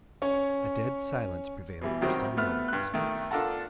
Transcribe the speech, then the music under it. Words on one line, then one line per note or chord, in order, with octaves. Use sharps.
A dead silence prevailed for some moments.
C#4 C#5
B2 E3 G3
C3 D#3 F#3 G3 C4
A3 B3 F6
G2 F#6
D#3 A3
D4 F4 A4 A#4 F#5 A5